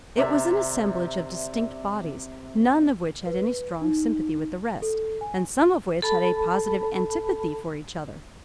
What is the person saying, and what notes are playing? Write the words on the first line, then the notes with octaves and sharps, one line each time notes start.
It was an assemblage of distinct bodies, none of which had any strong sympathy with the rest, and some of which had a positive antipathy for each other.
C3 D5 E5 A#5
B4
D#4
A4
G#5
A4 A5 B5